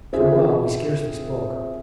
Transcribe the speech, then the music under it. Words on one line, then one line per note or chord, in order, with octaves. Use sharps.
For a while we scarcely spoke.
C4 F4 G#4 E5